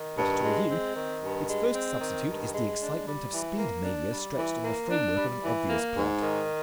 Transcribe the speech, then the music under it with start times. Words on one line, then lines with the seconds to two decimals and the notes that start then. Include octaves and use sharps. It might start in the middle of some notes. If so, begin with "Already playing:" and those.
But to review: its first substitute is the excitement of speed-mania stretched on the framework of an obvious plot.
Already playing: D#3
0.16 G2
0.43 G#3
0.69 C4
0.95 D#3
1.22 G2
1.48 G#3
1.74 C4
2.01 D#3
2.27 G2
2.54 G#3
2.80 D4
3.06 G3
3.32 E3
3.58 A#3
3.84 D4
4.11 G3
4.37 E3
4.64 A#3
4.90 D4
5.15 G3
5.42 E3
5.68 A#3
5.94 G#2
6.21 D#3